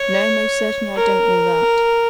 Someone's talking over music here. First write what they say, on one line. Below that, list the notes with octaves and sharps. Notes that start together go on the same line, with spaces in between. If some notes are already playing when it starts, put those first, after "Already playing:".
"No, most certainly I don't know that."
Already playing: C#5
A#4